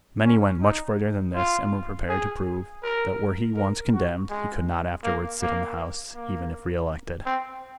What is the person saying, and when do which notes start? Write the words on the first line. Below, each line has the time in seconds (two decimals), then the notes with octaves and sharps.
Many went much further than this, and were prepared to prove that were he once condemned he could not afterwards sit in the House, even if re-elected.
0.25 C#4
0.62 D#4
1.35 F4
2.09 G#4
2.83 A#4
3.57 A#4
3.94 F#4
4.30 G#3
5.04 A#3
5.42 A#3
6.15 A#3
7.26 C4